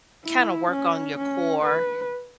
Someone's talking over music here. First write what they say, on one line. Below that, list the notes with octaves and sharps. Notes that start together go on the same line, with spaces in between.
kinda work on your core,
E4
C#4
C#4
B4